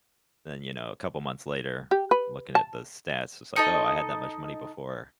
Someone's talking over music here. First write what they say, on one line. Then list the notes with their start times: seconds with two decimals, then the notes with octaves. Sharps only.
Then, you know, couple months later, looking at the stats, it's like, “Oh, I had that much money before.”
1.91 G4
2.11 B4
2.55 A5
3.56 D#4 A4 D#5